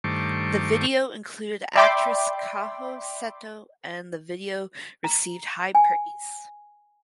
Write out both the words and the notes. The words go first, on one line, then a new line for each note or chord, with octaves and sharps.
The video included actress Kaho Seto and the video received high praise.
G2 D#3 A3 C5 C#6 D6
D5 E5 G5 B5 C6 D6
A#5
G#5